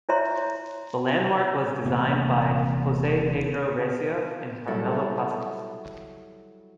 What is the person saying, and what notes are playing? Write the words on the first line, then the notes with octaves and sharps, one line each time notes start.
The landmark was designed by Jose Pedro Recio and Carmelo Casas.
E4 C5 C#5 E5 A#5 C6
E1 C3 A#3 B3
F#3 G3 E4 A4 C#5